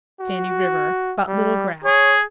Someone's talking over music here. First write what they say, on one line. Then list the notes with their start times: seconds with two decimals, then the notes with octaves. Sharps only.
Sandy River.--But little grass.
0.20 F#4
1.27 G3
1.85 G#4 C#5